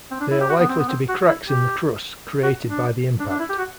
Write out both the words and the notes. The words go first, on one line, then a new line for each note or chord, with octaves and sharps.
They are likely to be cracks in the crust created by the impact.
C4
D4
E4
G4
F#4
B3
C4
B3
C4
F#4
E4
G4
F#4
D4
D4
D4
E4
G4
F#4